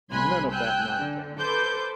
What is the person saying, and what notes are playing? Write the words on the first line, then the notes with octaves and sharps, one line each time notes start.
None of that nonsense!
C2 G#5 B5 C6 F#6 G#6
G5 G#5 E6 F#6 G6
D3
A4 B4 C5 D6 G6